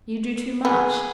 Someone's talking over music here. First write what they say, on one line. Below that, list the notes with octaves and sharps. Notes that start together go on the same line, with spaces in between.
You do too much.'
B3 G#4